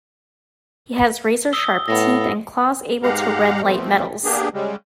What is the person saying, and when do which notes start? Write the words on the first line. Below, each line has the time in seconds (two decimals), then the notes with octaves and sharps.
He has razor sharp teeth and claws able to rend light metals.
1.53 D#6 E6 G7
1.88 A2 B3 F5 A#6
3.03 G#2 G#3 G4 F5 F#5 A#5
3.62 B2 F3 A3 C4
4.24 A#3 B3 D4 G4 G#4
4.54 C#3 G3 G#3